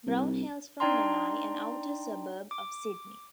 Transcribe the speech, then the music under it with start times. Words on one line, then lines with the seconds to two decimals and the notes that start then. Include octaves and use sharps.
Brown hails from Menai, an outer suburb of Sydney.
0.06 C2
0.80 D4 D#4 D5 G5 A#5 C6
2.51 D6